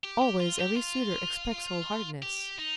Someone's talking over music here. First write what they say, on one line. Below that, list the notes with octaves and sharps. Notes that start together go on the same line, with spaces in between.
Always every suitor expects whole heartedness.
G4
G4
F4
G4
F4
G4
D#4